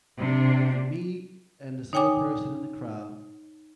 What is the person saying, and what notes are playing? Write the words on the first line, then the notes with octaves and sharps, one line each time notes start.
and me and this other person in the crowd,
C3 D4
D#4 C#5 G5 G#5 D6 D#6